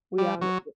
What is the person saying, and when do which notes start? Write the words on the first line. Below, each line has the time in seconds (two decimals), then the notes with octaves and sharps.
We all need it.
0.18 G3
0.42 F#3